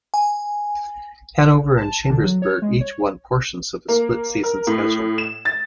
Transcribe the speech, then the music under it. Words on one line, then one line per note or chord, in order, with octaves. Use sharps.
Hanover and Chambersburg each won portions of the split season schedule.
G#5
A5
D3
F#3
C#5
G#3
C#5
A#3
A#4
A2
E7
A6